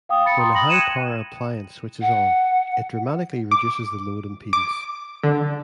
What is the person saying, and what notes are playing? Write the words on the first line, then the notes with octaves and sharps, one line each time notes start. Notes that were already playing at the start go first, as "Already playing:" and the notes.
When a high-power appliance switches on, it dramatically reduces the load impedance.
F5 G5 D#6
B5 A6 C#7
A#5 C6 D#6
G5 B5 A#6 F#7
F#6 G#6 C#7 D#7 E7
F#5
D6
D6
D3